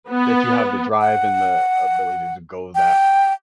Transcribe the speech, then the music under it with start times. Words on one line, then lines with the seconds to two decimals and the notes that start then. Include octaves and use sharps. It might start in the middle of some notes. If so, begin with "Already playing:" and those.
that you have the drive and the ability to go that
0.12 B3
1.01 F#5
2.75 G5